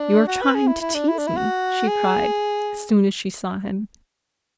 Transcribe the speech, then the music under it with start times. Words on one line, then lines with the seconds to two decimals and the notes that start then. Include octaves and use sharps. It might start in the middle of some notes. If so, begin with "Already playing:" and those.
'You are trying to tease me,' she cried, as soon as she saw him.
Already playing: D4
0.27 F#4
0.42 B4
0.55 G#4
0.67 E4
0.81 E4
0.95 D4
1.08 E4
1.18 D4
1.27 E4
1.37 F#4
1.88 G#4